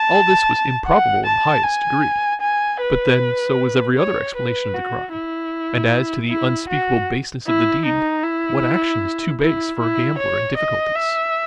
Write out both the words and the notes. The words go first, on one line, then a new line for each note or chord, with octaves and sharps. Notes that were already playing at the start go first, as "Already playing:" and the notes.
All this was improbable in the highest degree, but then so was every other explanation of the crime; and as to the unspeakable baseness of the deed, what action is too base for a gambler in difficulties?
Already playing: A5
F#5
A5
G#5
G#5
B4
C#5
B4
F#4
E4
E4
F#4
E4
D#4
E4
E4
E4
C#5
D#5
E5